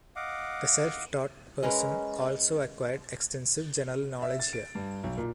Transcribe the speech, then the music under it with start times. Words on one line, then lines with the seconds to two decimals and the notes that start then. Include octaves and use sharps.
The self-taught person also acquired extensive general knowledge here.
0.16 D#5 F5 F#5 D6
1.63 G#3 C#4 A#4 B4
4.22 E5
4.39 A6
4.53 D7
4.75 G2
5.04 B1
5.17 A#2